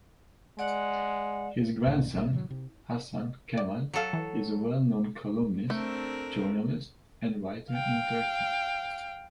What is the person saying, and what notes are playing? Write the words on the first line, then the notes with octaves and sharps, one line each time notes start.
His grandson, Hasan Cemal, is a well known columnist, journalist and writer in Turkey.
G#3 D5 F#5
C2 A2 D#3 A#3
A1 B2 F#3 A#3
A2 D#3 F3 F#3
C3
D5
F#3 A4 F5 C#7
E3
A3 C4 D4 A#4
F5 G5